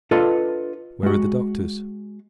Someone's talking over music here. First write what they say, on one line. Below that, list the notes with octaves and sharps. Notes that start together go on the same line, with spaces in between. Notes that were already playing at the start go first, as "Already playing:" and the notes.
Where were the doctors?
D4 F4 A4 B4 D#5
G#3 F#4